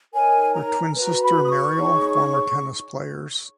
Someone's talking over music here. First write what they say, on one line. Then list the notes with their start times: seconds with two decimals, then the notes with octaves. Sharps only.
Her twin sister Marielle former tennis players.
0.13 D#4 A#4 C#5 G#5
0.54 A#5
0.95 F#4 B4 A#5
1.22 B5
1.44 D#6
1.49 C#6
1.77 D#4 G#4 C#5